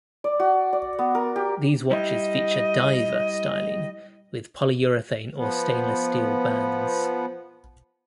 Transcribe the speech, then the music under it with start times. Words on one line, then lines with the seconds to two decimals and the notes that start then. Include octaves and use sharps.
These watches feature "diver" styling with polyurethane or stainless steel bands.
0.24 D5
0.40 F#4
0.73 D5
0.99 B3
1.15 A#4
1.36 G4
1.91 G3 E4 D#5
5.36 F3 B3